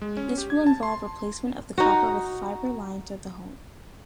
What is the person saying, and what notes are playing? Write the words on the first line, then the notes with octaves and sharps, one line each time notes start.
This will involve replacement of the copper with fibre line to the home.
G#3
C#4
G4
G#6
A5
C6
D#4 F#4